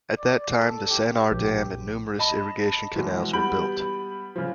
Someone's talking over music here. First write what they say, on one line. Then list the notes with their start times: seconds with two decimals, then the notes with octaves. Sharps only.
At that time the Sennar Dam and numerous irrigation canals were built.
0.18 D5
0.55 A4
0.90 G4
1.31 A#1
2.19 D#5 A5 B5
2.96 B2 E3 F#3 G#3
3.33 G3 B3 B5 G6 D7 F#7
4.36 C#3 F3